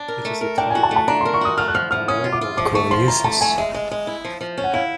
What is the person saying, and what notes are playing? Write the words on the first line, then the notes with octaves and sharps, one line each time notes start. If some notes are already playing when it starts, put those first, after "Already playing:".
It is a type of pneumoconiosis.
Already playing: D4
A#4
A3
A#4
D4 G5
G#5
F#4
A5
A3
A5
D4 A#5
C6
A#4
C#6
F#4 D#6
A3 F6
F#6
F3 F6
F3 F6
C#4 D#6
F4
D6
F4
F3 D6
A3 C#6
F3 C6
F4 A#5
A3 A5
A3 G#5
G#3 E5
G#3
G#3
E4
F3
F3
C#4
F#5
E4 F5